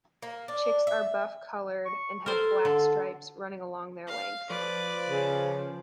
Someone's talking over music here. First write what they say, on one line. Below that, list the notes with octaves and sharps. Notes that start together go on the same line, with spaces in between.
Chicks are buff coloured and have black stripes running along their length.
A#3
D4
E5
C#6
A4 A#4 C5
D3
F5
F3 B4 D5
C#3